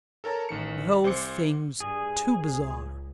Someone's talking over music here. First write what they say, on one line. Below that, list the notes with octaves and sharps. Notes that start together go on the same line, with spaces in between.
"The whole thing's too bizarre."
A4 A#4 C#5 A5 A#5
A1 D#3 C#7
C2 C5 C6 D6 C#7
G2 G#4
C#2